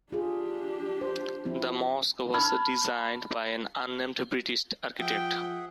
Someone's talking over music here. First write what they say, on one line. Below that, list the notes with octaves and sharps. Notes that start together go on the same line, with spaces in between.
The mosque was designed by an unnamed British architect.
D4 F4 G4 G#4
C5
F3 C4 E4
A5 B5 F6 G#6
F3 G#4 E5 F#5 G5